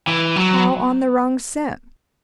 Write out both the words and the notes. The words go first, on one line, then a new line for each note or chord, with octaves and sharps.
"How on the wrong scent?"
E3
F#3